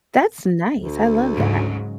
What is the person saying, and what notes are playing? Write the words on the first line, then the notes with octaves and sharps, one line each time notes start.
That's nice, I love that.
D2
G#2 C#3 F#3